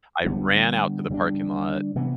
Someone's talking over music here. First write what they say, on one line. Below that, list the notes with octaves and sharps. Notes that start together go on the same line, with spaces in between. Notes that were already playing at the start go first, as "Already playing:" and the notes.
I ran out to the parking lot.
D3 G3 B3 D4
D3 G3 B3 D4
C3 E3 B3